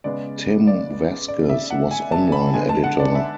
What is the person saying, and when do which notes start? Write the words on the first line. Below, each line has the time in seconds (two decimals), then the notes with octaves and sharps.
Tim Vasquez was online editor.
0.04 C#3 G#3 B3 D5
0.67 D5
1.28 D5
1.50 E5
1.71 F#5
1.91 G#5
2.12 A5
2.32 B5
2.54 D3 G#3 B3 G#5
2.69 A5
2.84 F#5
3.00 D5
3.15 E5